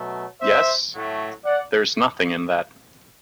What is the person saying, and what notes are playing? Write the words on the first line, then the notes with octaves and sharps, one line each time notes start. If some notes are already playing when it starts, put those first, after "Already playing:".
Yes; — there is nothing in that.
Already playing: B2 F#3 A3
C5 E5
A2 F#3 A3
D5 F#5